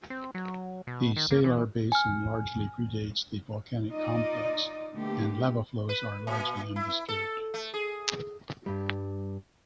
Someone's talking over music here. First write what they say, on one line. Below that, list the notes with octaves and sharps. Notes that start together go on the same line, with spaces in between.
The salar basin largely predates the volcanic complex and lava flows are largely undisturbed.
C4
F#3
B2
D#3
A#3
E3
G#5 F6
D#4 F4 D5 D#5
B2 D3 A3 A#3 G4
B4
A#2
E4
A4
A3
G#4
G2 G3